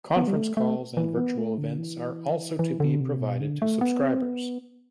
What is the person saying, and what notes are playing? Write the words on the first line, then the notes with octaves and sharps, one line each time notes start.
Conference calls and virtual events are also to be provided to subscribers.
B3
G3
A3
A3
E3
B3
A3
D3
E3
E3
D3
C3
B2
D3
A3
B3
C4
B3